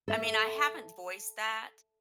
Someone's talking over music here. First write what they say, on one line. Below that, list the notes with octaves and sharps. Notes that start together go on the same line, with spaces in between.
I mean, I haven't voiced that,
A4 E5